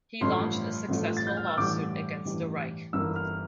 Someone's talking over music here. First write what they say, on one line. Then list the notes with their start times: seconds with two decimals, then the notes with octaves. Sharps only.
He launched a successful lawsuit against the Reich.
0.21 A1 G2 F3 A3 C6
0.89 A1 G2 F3 A3
1.17 A6
1.27 G6
1.37 F6
1.47 E6
1.57 A1 G2 E3 G3 D6
2.25 A1 G2 E3 G3
2.93 G1 G2 E3 A#3 E6
3.16 F6